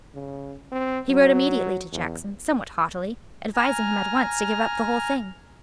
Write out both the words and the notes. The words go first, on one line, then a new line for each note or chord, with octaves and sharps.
He wrote immediately to Jackson, somewhat haughtily, advising him at once to give up the whole thing.
C#3
C4
F#3
E2
G#5 A#5 F6